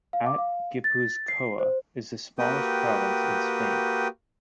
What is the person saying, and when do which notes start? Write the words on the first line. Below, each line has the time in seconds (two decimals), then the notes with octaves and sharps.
At Gipuzkoa is the smallest province in Spain.
0.13 F5
0.26 D6
0.38 F5
0.84 A6
1.28 C7
1.59 C5
2.39 A#3 F#4 G4 B4 G5 D#6